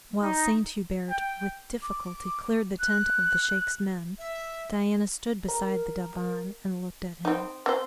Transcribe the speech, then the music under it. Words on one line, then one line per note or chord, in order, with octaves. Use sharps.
While Saint Hubert, with difficulty, cleared the tent of the Sheik's men Diana stood beside the divan and looked at him.
D#4
G5
D6
F#6
E5
A#4
C4 D#4
C4 C5